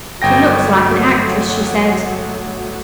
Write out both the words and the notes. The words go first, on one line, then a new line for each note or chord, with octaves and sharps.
"She looks like an actress," she said.
G1 F#3 A3 G5 A#6